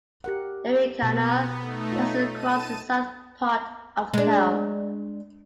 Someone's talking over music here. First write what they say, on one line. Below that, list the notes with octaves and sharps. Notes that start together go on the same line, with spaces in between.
The Erie Canal passes across the south part of the town.
G4 A#4 F#5
B2 B3
A3 D#4
F4 C#5
A5 D#7
G#3 D4